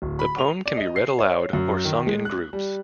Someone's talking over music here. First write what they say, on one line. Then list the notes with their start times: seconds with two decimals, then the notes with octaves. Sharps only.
The poem can be read aloud or sung in groups.
0.02 D1
0.19 B5
0.39 F7
0.66 D5
0.77 D#5
0.96 C7
1.19 C#5
1.53 F#2
1.85 D#3
2.07 G#3
2.25 F#6
2.53 G3